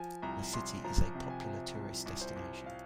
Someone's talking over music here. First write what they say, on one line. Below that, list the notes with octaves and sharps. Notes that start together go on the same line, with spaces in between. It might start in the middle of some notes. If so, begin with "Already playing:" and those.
The city is a popular tourist destination.
Already playing: F3 G#5
C2 A#5
C2 C6
F3 A#5
C3
G#5
F3
C2
C2
C5
C2
F5